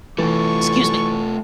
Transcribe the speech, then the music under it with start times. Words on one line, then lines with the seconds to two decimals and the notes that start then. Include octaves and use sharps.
Excuse me,
0.18 E3 A3 F4 C#6